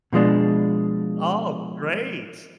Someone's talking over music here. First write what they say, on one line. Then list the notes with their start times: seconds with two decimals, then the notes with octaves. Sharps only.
Oh, great.
0.13 B2 F3 G#3 D4